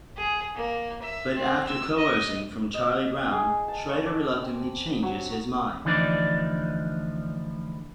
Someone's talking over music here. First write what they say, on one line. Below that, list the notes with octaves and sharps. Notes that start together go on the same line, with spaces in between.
But after coercing from Charlie Brown, Schroeder reluctantly changes his mind.
G#4
A#3
E5
C4
E6
D#5
D#5
G#4
A5
C#6
D6
C4
F#3
D2 E3 F3 D4 D#4 D5